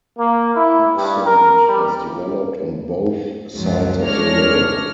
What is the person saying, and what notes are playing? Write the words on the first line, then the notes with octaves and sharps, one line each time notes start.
Hokksund has developed on both sides of the river.
A#3
E4
G2
A#4
G3
A#1
C#2 F#2 F3 F#3
G#3 A3 D4 C#5 F6 A#6